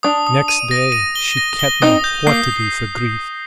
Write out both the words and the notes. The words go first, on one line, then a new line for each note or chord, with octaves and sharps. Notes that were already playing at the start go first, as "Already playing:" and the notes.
Next day she kentna what to do for grief.
D4 D#6
D#6
D#7
A#6
D#7
G7
A#6
G7
C4 D#4 D#6
G6
A#3 C7